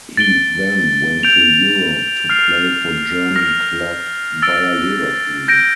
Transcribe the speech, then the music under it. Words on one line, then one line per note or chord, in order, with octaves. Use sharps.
He then went to Europe to play for German club Bayer Leverkusen.
A6 D7 G7
G6 D7 F7
F6 C7 F7
F6 A#6 F7
E6 A6 D7
G6 A#6 D7